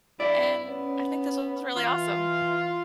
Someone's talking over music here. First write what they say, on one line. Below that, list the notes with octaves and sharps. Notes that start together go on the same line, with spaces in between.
and I think this was really awesome.
G2 E4 D5
B3 C#4
E3 F4